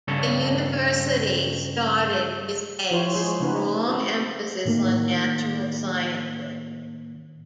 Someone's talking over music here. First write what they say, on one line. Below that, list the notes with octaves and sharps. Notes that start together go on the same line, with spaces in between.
The university started with a strong emphasis on natural sciences.
G2 C#3 A4 C#5
F3 E4 F4 G4 C5 C#5
G#3 G#4 C5 C#5
C#3 A3 C#4 D#4 F#4 B4
C4 F#4 A4 B4 C5
A2 D#3 A#3